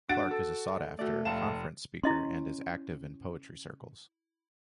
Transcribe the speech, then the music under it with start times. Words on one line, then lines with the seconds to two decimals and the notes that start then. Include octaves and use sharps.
Clarke is a sought-after conference speaker and is active in poetry circles.
0.09 D4 F#4 A6 D7
0.31 A4
0.99 A3 F#4 D5
1.25 F1 F5 A5 E7
2.03 C#4 E4 D#5 C6